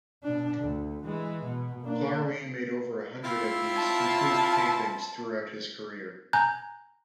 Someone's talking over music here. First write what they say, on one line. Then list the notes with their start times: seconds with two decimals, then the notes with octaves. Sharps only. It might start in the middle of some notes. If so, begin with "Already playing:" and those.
Klarwein made over a hundred of these "improved paintings" throughout his career.
0.24 B2 D4
0.59 D2
1.05 E3 G#3
1.44 B2
1.82 A#3 D4
3.24 C4 E4 F4
3.77 A5
6.33 G#5 A#5 F#6 G6